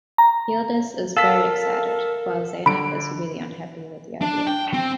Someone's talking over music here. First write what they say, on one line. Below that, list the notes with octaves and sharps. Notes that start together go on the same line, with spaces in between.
Yildiz is very excited while Zeynep is really unhappy with the idea.
A#5
A4 A#4 F5 B6
D3 B5 D7
D4
G5
C4